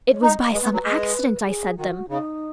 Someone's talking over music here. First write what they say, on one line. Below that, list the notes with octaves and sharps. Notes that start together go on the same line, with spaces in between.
It was by some accident I said them....
C#5
D#4 D#5
G#3 B4
B3
F#3
G#3
G#4
D#3 F#4
C#3 D#4